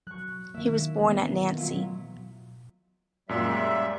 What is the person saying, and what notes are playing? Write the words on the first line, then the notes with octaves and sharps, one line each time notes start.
He was born at Nancy.
F#3 C#6 F#6
D#3 A#3 E4 E5
E3 A3 B3
D#3
F#3 E4 F4
F#2 A#2 G3 G#3 E5